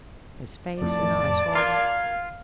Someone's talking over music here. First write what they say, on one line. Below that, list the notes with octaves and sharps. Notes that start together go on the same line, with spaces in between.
His face and eyes hardened.
F2 A2 D5 A5
F4 A#4 F5 G#6